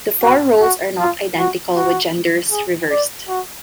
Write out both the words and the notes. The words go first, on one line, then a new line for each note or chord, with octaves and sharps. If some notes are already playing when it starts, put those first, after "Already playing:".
The four roles are not identical with genders reversed.
F#4
F#4
F4
F#4
F#4
G#4
D5
F#4